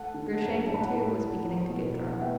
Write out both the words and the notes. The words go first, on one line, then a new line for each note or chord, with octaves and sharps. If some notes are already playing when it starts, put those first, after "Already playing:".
Grushenka, too, was beginning to get drunk.
Already playing: A3 F#5 A5
D3
F#2
A2 A5
B5
F#5 A5
A2
A2
E2
B2
E2
F#5
B3 E5 G5